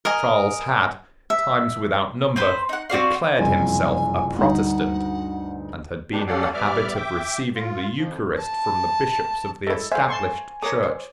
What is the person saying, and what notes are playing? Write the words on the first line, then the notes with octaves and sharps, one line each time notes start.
Charles had, times without number, declared himself a Protestant, and had been in the habit of receiving the Eucharist from the Bishops of the Established Church.
A#4 D#5 G#5
E5
C4 B4 C5
D#4 F#5
C4 F#4 D5 F5
F#1 C2 F2 G#5
D2 G2 D#4 F#5
D#3 G3 G#3 B3 D4 G4
C#4 G4 A4 D5 F5 F#5
G3 B3 D5 E5 D6 F6
E5 G5 D6
F4
F2 F3
A5
G#3 E4 A4
A3 C5 E5 F5 G#5
A5 C6 C#6
A4 A#4 C#5 D6 D#6
C5